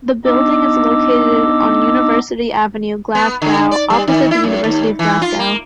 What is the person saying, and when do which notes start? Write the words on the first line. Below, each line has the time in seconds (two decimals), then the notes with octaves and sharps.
The building is located on University Avenue, Glasgow, opposite the University of Glasgow.
0.25 B3 D4 D#4 D#5 D6 E6
3.15 B3
3.42 D3
3.71 D5
3.90 G3
4.08 D#3
4.31 E4
4.44 F#2
4.64 D#2
4.99 E3
5.22 F4
5.39 A#3